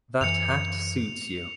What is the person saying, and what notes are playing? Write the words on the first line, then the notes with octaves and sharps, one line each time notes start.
That hat suits you.
F#2 E3 C#7 F7